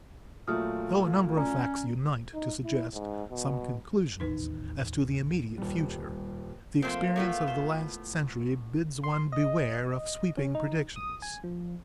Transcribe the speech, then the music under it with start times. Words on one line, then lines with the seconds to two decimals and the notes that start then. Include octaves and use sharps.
Though a number of facts unite to suggest some conclusions as to the immediate future, the experience of the last century bids one beware of sweeping predictions.
0.47 A#2 F#3 A3 F4 D#6 F6
1.37 C#4 D5 A#5
2.34 D#4
2.64 E4
2.93 G#2
3.31 B2
4.20 E1 A1 D#2 D#4 B4
5.58 D#1 G3
6.82 F3 A3 A#3 C4
7.16 A2 A3 B3 F4 C#5
7.48 C5
9.04 C6
9.32 D#5
10.37 C#4
10.55 D#4
10.96 D#6
11.22 G#5
11.44 F3